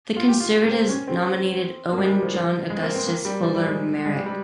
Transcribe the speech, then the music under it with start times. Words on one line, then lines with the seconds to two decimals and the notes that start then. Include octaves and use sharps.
The Conservatives nominated Owen John Augustus Fuller Meyrick.
0.16 F4
0.28 G4
0.40 F4
0.65 A#3
0.71 C4
0.89 C#4
1.07 C4
1.93 A#3
1.98 G#3
2.10 G3
2.22 F3
2.34 F3
2.70 G#3
2.78 C4
2.83 A#3
2.95 C4
3.06 A#3
3.25 G3
3.43 F3
3.55 G3
3.67 G#3
4.06 G#3
4.16 G3
4.26 G3